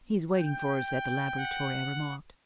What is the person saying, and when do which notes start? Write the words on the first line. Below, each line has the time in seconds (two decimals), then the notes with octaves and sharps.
"He's waiting for us at the laboratory," I remarked.
0.34 G5 G6
1.36 F#5